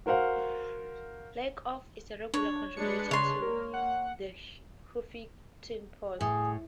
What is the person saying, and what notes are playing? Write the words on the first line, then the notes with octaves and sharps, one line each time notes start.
Lakoff is a regular contributor to the "Huffington Post".
F#4 A#4 C5 F5 F#5
D4 C#5
G#3 D4 B4 C#7
C#3 C#5 C6
A#3 A#4
F#5
A2 G#4